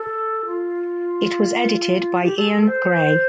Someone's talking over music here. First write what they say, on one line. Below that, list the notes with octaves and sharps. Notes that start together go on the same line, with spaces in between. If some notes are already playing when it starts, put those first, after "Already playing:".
It was edited by Ian Gray.
Already playing: A4
F4
G4
A4
A4
C5